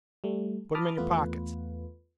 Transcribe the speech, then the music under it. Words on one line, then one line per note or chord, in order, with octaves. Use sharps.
"Put 'em in yo' pockets."
G3 A3
A5 B5 D6 D#6 F6
E2 A3 B3 F4 B4